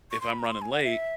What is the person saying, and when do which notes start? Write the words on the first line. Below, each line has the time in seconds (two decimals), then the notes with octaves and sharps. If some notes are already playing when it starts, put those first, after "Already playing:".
if I'm running late
0.11 C#6
0.21 C6
0.30 B5
0.39 A#5
0.50 C6
0.62 G#5
0.73 F#5
0.84 E5